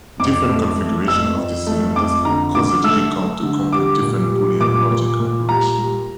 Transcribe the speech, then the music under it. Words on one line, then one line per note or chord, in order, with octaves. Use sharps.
Different configurations of these cylinders caused the Digi-Comp to compute different boolean logic operations.
F2 D6
A3
A3
F2 E6
F2
A3
F2 D6
D3 A#5
D3 D6
A3 E6
A3
D3
G3 D6
A#2
G3
A#2 D6
A#2
A#2
G3 A#5
G3